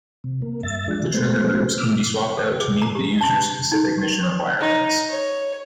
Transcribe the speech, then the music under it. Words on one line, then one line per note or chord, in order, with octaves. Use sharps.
The trigger groups can be swapped out to meet the user's specific mission requirements.
C3
A#3
G2 E5 A6
F3 G#3 D4
G#3 A3 B3 C5
D6 E6 F6
A4
G#4
A#5
G4
A5
D#4
D#4
C#5